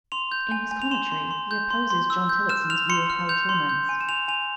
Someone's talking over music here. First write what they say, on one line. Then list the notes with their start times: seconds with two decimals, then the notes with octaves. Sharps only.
In his commentary he opposes John Tillotson's view of hell torments.
0.12 C6 F7
0.32 G6
0.51 G#5
0.71 G#5
0.82 F7
0.91 C6 E7
1.12 C6
1.31 C6
1.51 G6
1.70 C6
1.90 C6
2.10 E6
2.29 G6
2.49 F6 E7
2.70 F6 F7
2.89 C6 C#7
3.10 F6
3.29 G6 F7
3.49 C6
3.69 G6
3.89 G#5
4.01 E7
4.09 G#5 F7
4.28 G#5 F7